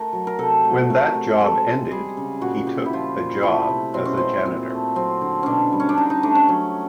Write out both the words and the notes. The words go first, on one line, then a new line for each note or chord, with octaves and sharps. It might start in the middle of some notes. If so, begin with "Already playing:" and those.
When that job ended, he took a job as a janitor.
Already playing: A3 A#4
F#3
A#4
C3 A4
A3
A3 A#4
A3
G#3 A4
G#3
G3 G#4
C#3
A#2 F#4
A#2 G4
E4
F3 F4
A#2
A3 E4
C3
B2 C4
C#4
G#3 C4
A#2 C4
A3
F#3 C4
D3
B2 C#4 D4
G3
C#4
D4
D3 D#4
D#4
A3 D4
C#4
F#3 C#4